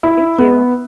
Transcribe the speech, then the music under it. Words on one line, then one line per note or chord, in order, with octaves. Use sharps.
Thank you.
E4
B3